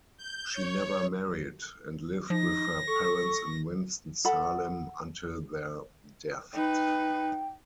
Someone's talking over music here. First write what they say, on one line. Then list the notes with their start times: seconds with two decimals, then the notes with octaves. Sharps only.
She never married, and lived with her parents in Winston-Salem until their deaths.
0.17 G6
0.54 C#5
2.30 F3 D#4 A#6
2.87 A4 C#6
4.25 A4 F#5 B5
6.53 D#4 B4 G5